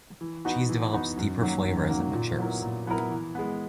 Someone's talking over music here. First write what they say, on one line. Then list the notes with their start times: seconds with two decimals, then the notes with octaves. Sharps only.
The cheese develops deeper flavours as it matures.
0.21 E3
0.45 B3 D#4 F#4
0.69 E3
0.93 B3 D#4 F#4
1.17 F#2
1.41 D#3 F#3 A#3
1.65 F#2
1.89 D#3 F#3 A#3
2.13 A#2
2.38 F#3 B3 E4 A#4
2.62 A#2
2.86 F#3 B3 E4 A#4
3.10 E3
3.35 G#3 B3